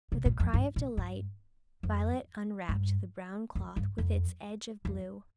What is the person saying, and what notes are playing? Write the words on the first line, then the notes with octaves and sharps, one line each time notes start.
With a cry of delight Violet unwrapped the brown cloth with its edge of blue.
C3
A#2
F2
G2
A#2
G2
F2
G2
F2
G2
F2
F2